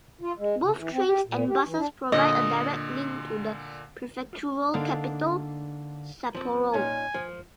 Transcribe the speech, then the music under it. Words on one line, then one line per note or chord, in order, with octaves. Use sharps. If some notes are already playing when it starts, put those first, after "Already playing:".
Both trains and buses provide a direct link to the prefectural capital, Sapporo.
F4
G#3
C#3
E3
C4
G4
A#2
G4
E3
D4
A#2 D3 D#5
D3 A#3 D4 D#4 F5
F3 C4
A#2 C#4 D#4 G#5
F3